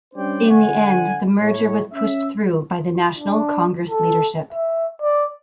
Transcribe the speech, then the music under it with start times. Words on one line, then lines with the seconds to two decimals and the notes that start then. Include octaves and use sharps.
In the end the merger was pushed through by the national Congress leadership.
0.14 G3 C#4 D4 C5 D5 G5
0.48 D3 F#5 G#5
1.39 A2 C#5
1.93 C#4 E5
3.18 D4
3.89 A4
4.53 E5
5.02 D5